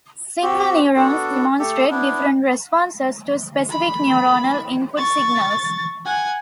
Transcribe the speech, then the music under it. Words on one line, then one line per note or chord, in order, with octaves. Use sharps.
Single neurons demonstrate different responses to specific neuronal input signals.
C4 F#4 G4
B3 D4 F#4 A4
A3 G4 A4
B3 D4 E4
B5
C#6 A6
F#5 G#5